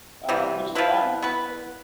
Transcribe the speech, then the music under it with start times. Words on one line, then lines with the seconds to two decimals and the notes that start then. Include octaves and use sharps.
uh, which is fine, but
0.29 C3 E3 G3
0.75 F3 A3 E4 B4
1.22 B3 E4 B4